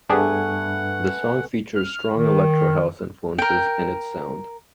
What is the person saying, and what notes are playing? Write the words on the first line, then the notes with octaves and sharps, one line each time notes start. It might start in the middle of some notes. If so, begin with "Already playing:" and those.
The song features strong electro house influences in its sound.
G2 A3 B3 D4 G4 G#4 F#5 G#5
F6
D#3
A#4 G5